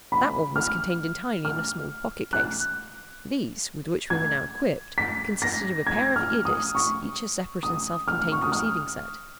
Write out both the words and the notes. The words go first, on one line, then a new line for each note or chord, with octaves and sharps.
That one was contained entirely in a small pocket case. These, with which we were now equipped, consisted of a pair of ear discs, each a separate and self-contained receiving set.
B5
F6
F6
F#6
G#6
B6
A#6
G#6
F6
D#6
C#6
D#6
F6
C#6
D#6
F6